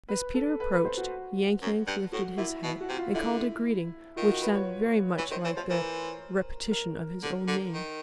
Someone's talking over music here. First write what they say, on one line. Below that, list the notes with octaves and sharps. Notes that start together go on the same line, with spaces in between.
As Peter approached, Yank-Yank lifted his head and called a greeting which sounded very much like the repetition of his own name.
B4
A4
B4
B4
C5
F#4
F#2
G2
A2 F#4
A#2 E4
B2
F#4
C3
F4
D3 E4
D#3 F4
F#4
B4
C#5
E3 C#5
D#3 C5
E3 C#5
F3 C5
E3 A#4
A#4
D3
D3
D#3